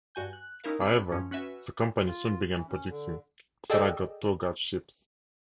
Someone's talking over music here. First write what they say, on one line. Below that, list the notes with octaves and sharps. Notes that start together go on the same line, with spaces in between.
However, the company soon began producing Saratoga Chips.
G2 F#4 G#5 G6
F#6
C#4 D#4 E4 A#4 F5
C4 B5
F#2 F3 C#4
C#4 F#4 B4 E5
F4
E3
C#4
D3
G#4 A4 D5 D#5 G5 E6